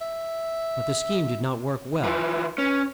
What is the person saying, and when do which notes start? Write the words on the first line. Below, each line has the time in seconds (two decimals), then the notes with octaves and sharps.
But the scheme did not work well.
0.01 E5
2.04 E3 F3 B4
2.58 C#4 B4